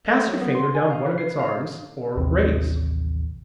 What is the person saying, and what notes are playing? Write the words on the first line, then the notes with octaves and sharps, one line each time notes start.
Pass your finger down one of its arms, or rays.
A3
F#3
B3
C6
G#5
F5
B4
C7
F5
A1 D#2 C3 C4